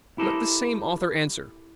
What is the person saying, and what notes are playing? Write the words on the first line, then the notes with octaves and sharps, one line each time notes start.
Let the same author answer.
E4 G4 A4 A#4 C5 D#5